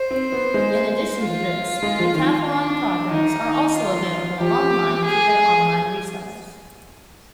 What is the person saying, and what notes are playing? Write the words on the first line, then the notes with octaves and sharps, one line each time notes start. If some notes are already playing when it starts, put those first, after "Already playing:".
In addition to this, Decathlon products are also available online through their online resellers.
Already playing: C5
C4
B3
G#3
F4
G#3
F3
D#3
D4
D#3 D#4
F4
F3 G4
G#4